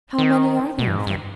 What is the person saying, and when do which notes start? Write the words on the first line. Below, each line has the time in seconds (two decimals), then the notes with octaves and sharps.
"How many are there of them?"
0.18 D#3
0.79 B2
0.88 G2
0.97 G#2
1.07 G2